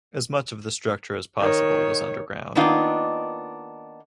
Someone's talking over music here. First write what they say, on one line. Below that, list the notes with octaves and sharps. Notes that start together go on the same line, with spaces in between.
As much of the structure as possible was underground.
D#3 C#5
D#3 A#3 B3 D4 D#4 F4